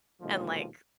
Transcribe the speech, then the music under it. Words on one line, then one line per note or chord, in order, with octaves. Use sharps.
and, like,
A#1 D#2 B2 D3 F3 G#3